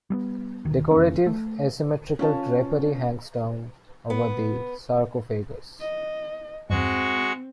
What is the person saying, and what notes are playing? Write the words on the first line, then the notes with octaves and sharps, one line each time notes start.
Decorative, asymmetrical drapery hangs down over the sarcophagus.
G3 A3 B3
D2 D#3
F1 D#3 A#3 C#4
A3
C#4 F4 A5
B3
D#5
E2 G2 G#3 C4 F#4 C#6